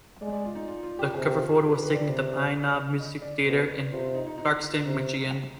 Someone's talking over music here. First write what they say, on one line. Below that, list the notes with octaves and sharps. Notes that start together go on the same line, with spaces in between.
The cover photo was taken at the Pine Knob Music Theater in Clarkston, Michigan.
G#3 D5
D5
F4
D#4
F4
F4
G4
C3 G#4
G4
F4
G#4
G#4
B4
B4
D5
C3
D#5
D5
B2 C5
B4
C3 F4
F4
D#4
D#4
D#4
C3